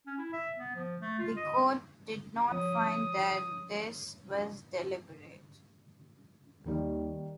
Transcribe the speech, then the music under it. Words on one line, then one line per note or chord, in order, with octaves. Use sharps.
The Court did not find that this was deliberate.
C#4
E4
E5
B3
F3
A3
F4
D#5
F3 C#5 D#6
D#2 D#3 G3